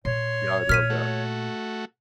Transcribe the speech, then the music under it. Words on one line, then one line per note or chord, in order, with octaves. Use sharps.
Yeah, I love that.
A#2 C#5 C6
A#2 F6 B6 D#7
A3 F#4